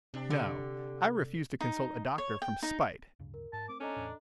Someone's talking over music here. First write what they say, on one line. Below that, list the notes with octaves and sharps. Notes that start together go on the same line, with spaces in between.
No, I refuse to consult a doctor from spite.
C3 D4 G4
D3
D#4
C#5
G5
D#4
D1 G2 C#3
A#4
G#2 A5
A3 C4 D6
C#4 D4 A4 D#5 A#5
E2 A2